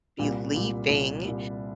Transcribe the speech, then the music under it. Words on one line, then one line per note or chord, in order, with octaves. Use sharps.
be leaving,
C2 A#2 G3
C2 A#2 G3
C2 A#2 G3
C2 A#2 G3